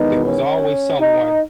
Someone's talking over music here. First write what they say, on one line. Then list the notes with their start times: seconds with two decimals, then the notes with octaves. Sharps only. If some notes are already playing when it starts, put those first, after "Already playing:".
There was always someone
Already playing: E2 D#3 G#3 B3 D#4
0.26 C#4
1.00 D#4